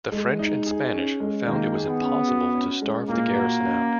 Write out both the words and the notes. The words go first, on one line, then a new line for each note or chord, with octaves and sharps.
The French and Spanish found it was impossible to starve the garrison out.
G#3
D#4
G#4
C#4
G#3
D#3 A#3
G#4
B3
C#4
F#4
C#4
G#3
A#2 A#3
F#4
C#4